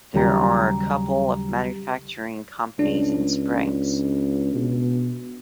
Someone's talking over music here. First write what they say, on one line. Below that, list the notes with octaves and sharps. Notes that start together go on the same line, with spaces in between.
There are a couple of manufacturing companies in Springs.
D#2 C#3 F#3 G3 G4 A#5
C#2 D4
B2